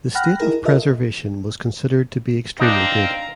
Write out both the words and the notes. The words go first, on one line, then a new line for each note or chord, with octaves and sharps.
The state of preservation was considered to be extremely good.
F#5 G5 B5 F6 F#6 A#6
D#4 E4 G#4 A#4
F4 A4 A#4 D#5 E5
C4 D4 D#4 F5 A#5